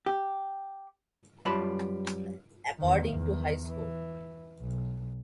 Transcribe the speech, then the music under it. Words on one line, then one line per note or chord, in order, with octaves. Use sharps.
According to High Score!
G4
F#2 G3 F4 B4 A5 B5
E2 D#3
E2 D#3
E3
B1